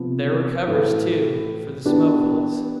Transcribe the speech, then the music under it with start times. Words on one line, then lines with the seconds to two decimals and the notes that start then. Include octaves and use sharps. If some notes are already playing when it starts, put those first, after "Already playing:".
There were covers, too, for the smoke-holes.
Already playing: C3 F3 B3
0.68 A2 E3 A3
1.86 E3 B3 D4 G4 B4